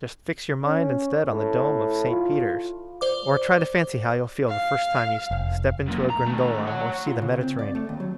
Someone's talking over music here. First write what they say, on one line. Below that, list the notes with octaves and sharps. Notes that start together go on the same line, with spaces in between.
Just fix your mind instead on the dome of St. Peter's, or try to fancy how you'll feel the first time you step into a gondola or see the Mediterranean.
C#4
A2
F4
C5 D5 D6
F5
F1
F#2 A#2
A#5
D#3 A3
C#5 F#5
F4
C#3
C4
D5
A3
D#2
F#3